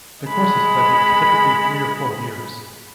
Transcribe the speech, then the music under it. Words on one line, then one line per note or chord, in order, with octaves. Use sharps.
The course of study is typically three or four years.
G#3 B5